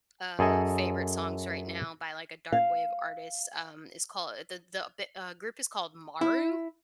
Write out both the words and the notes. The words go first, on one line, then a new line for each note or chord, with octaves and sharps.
uh, favorite songs right now by, like, a dark wave artist, um, is called the the the, uh, group is called Maru.
F#2 G#4 A4 D#5 G#5
F5
E4